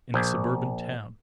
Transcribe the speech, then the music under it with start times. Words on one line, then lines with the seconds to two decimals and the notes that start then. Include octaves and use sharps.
In a suburban town?
0.14 A#1